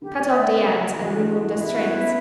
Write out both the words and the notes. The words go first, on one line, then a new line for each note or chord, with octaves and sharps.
Cut off the ends and remove the strings.
D3 G4
D5
E5
C#3 D5
C#5
G4
E3 F#4
D4
E4 F#4
C#4 E4
B3
A3 F#4
B3 E4